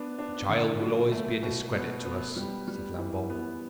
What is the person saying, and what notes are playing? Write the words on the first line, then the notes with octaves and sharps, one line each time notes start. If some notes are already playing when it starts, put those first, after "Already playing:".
"The child will always be a discredit to us," said Lambole.
Already playing: B3 D4
D4
D3
F#3
A3
B2
B3
B3
G3
G3
E3
B3